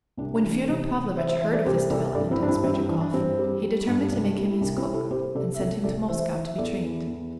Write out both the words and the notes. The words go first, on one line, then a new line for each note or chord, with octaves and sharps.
When Fyodor Pavlovitch heard of this development in Smerdyakov he determined to make him his cook, and sent him to Moscow to be trained.
C2 D4
D4
E3
D4
C3
C3
E3 C5 E5
C5 E5
E3 C5 E5
A4 D5
C2 G4 C5
C2 A4 D5
G2 A4 D5
C4 E4
G2 D4
C4 E4
G2 C4 E4
C4
E3 D4
D4
G2 C4
G3
G3
G2
C2 D4
G3
E4
C2 D4
C4 E4
C3
E4 A4
C2 G4 C5
C3 A4 D5
E5
C2 A4 D5
C2 A4 D5
E3 C5 E5
E3
E5
E2 A4 D5
E3
E2